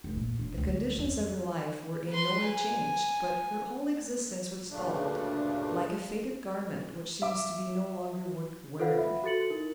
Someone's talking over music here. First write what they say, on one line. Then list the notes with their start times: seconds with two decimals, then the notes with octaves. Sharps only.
The conditions of her life were in no way changed, but her whole existence was dulled, like a faded garment which seems to be no longer worth wearing.
0.04 F1
0.17 A#2
0.39 E1
0.58 D2
0.99 F2
2.09 B4 C6
2.47 G#5
4.70 D2 G2 A#2 C#3 A3 D4
7.22 E5 D6
8.79 F4 A4 B4 C5 F5 F#5
8.98 E5 B5
9.24 F#4 A4 A6 C#7 F#7
9.50 D#4 E4 A#4